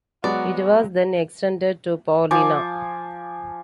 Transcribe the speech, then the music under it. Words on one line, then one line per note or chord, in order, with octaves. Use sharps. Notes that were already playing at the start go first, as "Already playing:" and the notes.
It was then extended to Paulina.
F#3 G#3 B3 F#4 D5
F3 G#5 D6